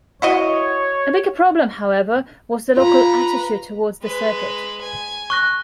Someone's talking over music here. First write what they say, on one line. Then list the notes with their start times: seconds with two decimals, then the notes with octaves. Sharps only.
A bigger problem, however, was the local attitude towards the circuit.
0.22 E4 F#4 C#5 D#5
2.76 F4 B4 A#5
4.03 G#3 B4
4.81 G#5
5.30 C#6 F#6 A#6